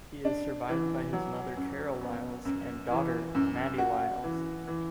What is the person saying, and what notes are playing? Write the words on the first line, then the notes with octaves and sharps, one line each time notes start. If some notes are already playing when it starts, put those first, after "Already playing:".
He is survived by his mother Carol Liles and daughter Maddie Liles.
D4
E3
F#3
F#2
B3
F#2
E3
F#2
F#4
E3
E3